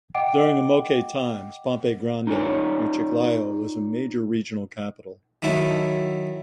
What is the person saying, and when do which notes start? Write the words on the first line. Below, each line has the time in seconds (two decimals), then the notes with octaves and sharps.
During the Moche times, Pampa Grande, near Chiclayo, was a major regional capital.
0.15 D#5 F#5 G5 D6 D7
2.27 D#4 F4 A#4 B4 C#5 D5
5.42 D#3 F#3 E4 A4